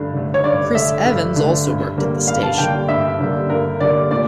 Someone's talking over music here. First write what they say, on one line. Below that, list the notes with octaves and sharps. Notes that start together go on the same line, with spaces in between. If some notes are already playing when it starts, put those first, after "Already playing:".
Chris Evans also worked at the station.
Already playing: G2 D3 A3
D3 A3
C#5
G2 D5
D3 A3 E5
G2
D3 A3
G2
D3 G3 A#3
G2 F5
A5
D3 G3 A#3 G5
G2 E5
D3 G3 A#3
G2 A#4
D3 G3 A#3 D5
A#2 D5